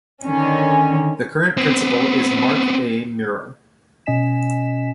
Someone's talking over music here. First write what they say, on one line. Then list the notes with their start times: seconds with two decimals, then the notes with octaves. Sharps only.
The current principal is Mark A. Murrell.
0.25 D3 D#3 C#4
1.57 B3 C4
4.06 B2 C#4 D#5 G#5 B6 E7